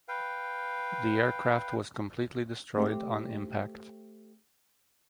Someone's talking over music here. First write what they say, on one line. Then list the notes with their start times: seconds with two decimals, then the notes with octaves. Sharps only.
The aircraft was completely destroyed on impact.
0.08 B4 F5 G5
2.75 A3 C4 G4